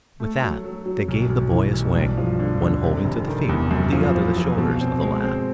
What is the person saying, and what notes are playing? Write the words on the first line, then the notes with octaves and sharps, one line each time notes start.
With that they gave the boy a swing, one holding to the feet the other the shoulders of the lad.
A3
F#3
F#3
F#3
B1
B1
E3
B1
G2
F3
D3
D3
C3
F1
D#3
E2
F#2
F3
F3
F3
B2
C4
G#3
C4